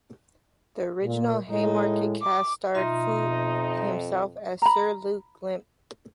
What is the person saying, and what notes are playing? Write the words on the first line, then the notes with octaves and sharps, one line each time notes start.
The original Haymarket cast starred Foote himself as Sir Luke Limp.
A#2
A2 G#3 D#4
D6
B2 F3 D#4 F4 E5 C6
F2
A#5 B5